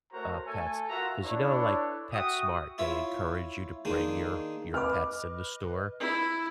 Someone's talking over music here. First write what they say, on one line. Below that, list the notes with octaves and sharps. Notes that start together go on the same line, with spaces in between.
uh, pets, 'cause, you know, like, PetSmart, they encourage you to bring your your pets in the store.
A3 F#4 A#4 C5 C#5 A#5
A3 A4 E5 G#5
F4 F#4 A#4 E5 F#5 A#5
D4 E4 A4 B4 C#5
F#4 E5 G5 D#6
E4 F4 C#5 E5
D#3 G#3 A#3 D4 D#4
B4 D#5 D6 F6
E4